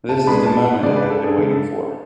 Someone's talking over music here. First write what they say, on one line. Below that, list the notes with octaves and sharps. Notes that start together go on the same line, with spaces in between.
This is the moment I have been waiting for.
A5
B2 G#3 B3 D4 B5
A5
F#5
C#3 G#3 D4 D5
B4
A4
G#4
C#3 G#3 D4 A4